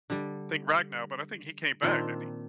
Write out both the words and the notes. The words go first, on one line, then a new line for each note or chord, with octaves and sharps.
I think Ragnow, but I think he came back, didn't he?
D3 G3
A#2 D#3 C4 D4